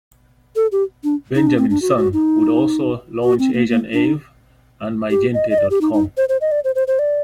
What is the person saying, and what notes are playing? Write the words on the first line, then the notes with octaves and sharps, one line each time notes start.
Benjamin Sun would also launch AsianAve and MiGente dot com.
A4
G4
D4
D#4
D4
C4
D4
F#4
F#4
D#4
F#4
C4
A#3
A#3
D4
D#4
G4
D#5
D#5
D5
G4
D#4
D#4
C5
C5
D#5
D5
C5
C5
C5
D5